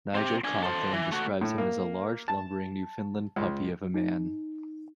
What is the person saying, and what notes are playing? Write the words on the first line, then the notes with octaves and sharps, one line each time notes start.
Nigel Cawthorne describes him as a large, lumbering, Newfoundland puppy of a man.
C4 G4
D4 G#5
A4 C5
E3
A3 F#4
A2
A#3
A5
C#2
D#4